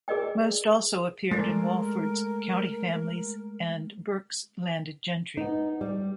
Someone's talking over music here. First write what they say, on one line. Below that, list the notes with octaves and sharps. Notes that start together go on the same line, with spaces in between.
Most also appeared in Walford's "County Families" and Burke's "Landed Gentry".
G#4 A#4 D5 D#5 G5
G#3 A3 A#4 D5
B3 D#4
G3